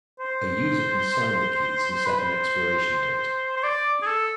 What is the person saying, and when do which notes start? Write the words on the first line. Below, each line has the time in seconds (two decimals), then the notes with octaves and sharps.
A user can sign the keys, and set an expiration date.
0.20 C5
1.91 C5
2.05 B4
2.18 C5
3.57 C5
3.63 D5
4.02 G#4
4.07 A4